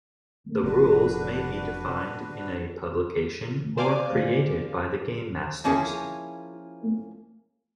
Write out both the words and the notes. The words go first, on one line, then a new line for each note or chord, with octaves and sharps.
The rules may be defined in a publication or created by the gamemasters.
F1 D4 F#4 B4
C5 D5 F5 G#5 D6
F3 A#3 C#4 E4 G#4